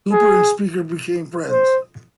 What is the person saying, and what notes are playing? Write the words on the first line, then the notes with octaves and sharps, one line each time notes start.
Hooper and Speaker became friends.
G#4
C5